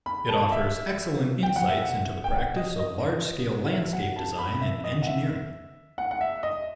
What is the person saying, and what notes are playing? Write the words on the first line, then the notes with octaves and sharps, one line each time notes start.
It offers excellent insights into the practice of large-scale landscape design and engineering.
B5
A5
E5
G5
F#5
E5
F#5
G5
F#5
D#5
D#5
E5
F#5
A5
B5
E5
D#5
F#5
E5
F#5
F#5
E5
D#5